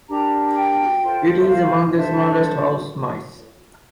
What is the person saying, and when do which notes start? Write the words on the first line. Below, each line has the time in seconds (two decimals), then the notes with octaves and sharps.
It is among the smallest house mice.
0.09 D4 G4 A#4 A#5
0.55 G5
1.02 F4 A4 C5
1.40 E5
1.49 F5
1.94 D4 A4 C5 E5